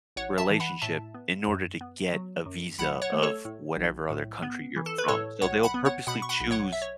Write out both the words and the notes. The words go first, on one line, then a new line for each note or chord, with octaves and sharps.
relationship in order to get a visa of whatever other country you're from. So, they'll purposely choose
A1 C#5 F#5
E5 A5
E3
F#5 B5
A2 E5 A5
B3
F#2
B3
F#3
F#2
B1 F#5 B5
C#5 F#5
A3
A4 C#5
A2
B1
A2
B3
E3
A4
B4
A2 A4 C#5
B1 C#5 F#5
F#5 B5
B3
C#5 F#5
B2 F#5 B5
C#6
F#5 B5
B1
C#5 F#5
E5
C#5